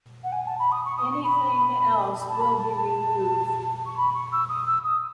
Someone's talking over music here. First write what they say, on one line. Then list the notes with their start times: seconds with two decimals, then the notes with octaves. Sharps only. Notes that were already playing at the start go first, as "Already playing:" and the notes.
Anything else will be removed.
0.24 F#5
0.32 G#5
0.46 A5
0.59 B5
0.72 D#6
0.85 C#6
0.97 D#6
1.11 C#6
1.24 B5
2.29 A5
2.41 B5
2.58 A5
2.75 A5
3.86 C#6
3.97 B5
4.14 C#6
4.32 E6
4.49 D#6
4.67 E6
4.84 D#6